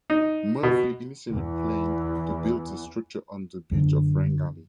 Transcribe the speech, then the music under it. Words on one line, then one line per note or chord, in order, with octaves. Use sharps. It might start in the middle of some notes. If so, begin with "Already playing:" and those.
Murphy initially planned to build the structure on the beach of Rangali.
D#4
B2
E2 E3
F#2 D3